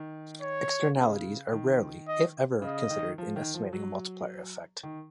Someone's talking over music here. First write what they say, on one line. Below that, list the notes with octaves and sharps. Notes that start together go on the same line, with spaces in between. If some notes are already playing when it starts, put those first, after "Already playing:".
Externalities are rarely if ever considered in estimating a multiplier effect.
Already playing: D#3
C#5
C#3
D#3
D#5
C#3 D#5
D#3
F3
D#3
F3
F#3
D#3